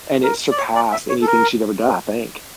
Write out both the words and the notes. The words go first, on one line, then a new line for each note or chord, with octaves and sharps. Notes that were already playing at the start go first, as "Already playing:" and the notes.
and it surpassed anything she'd ever done, I think.
A#4
D5
C#5
D5
E5
C#5
A4
A#4